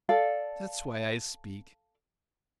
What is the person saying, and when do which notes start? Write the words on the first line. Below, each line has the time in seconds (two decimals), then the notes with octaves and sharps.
That's why I speak.
0.09 A4 D5 F5